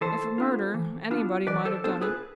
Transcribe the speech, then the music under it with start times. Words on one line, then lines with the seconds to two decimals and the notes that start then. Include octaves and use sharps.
If a murder, anybody might have done it.
0.01 E3 A4 C5
0.38 B3 D4 F4
0.74 E3
1.10 B3 D4 F4
1.47 E3 B4 D5
1.65 A4 C5
1.84 B3 D4 F4 A4 C5
2.01 G#4 B4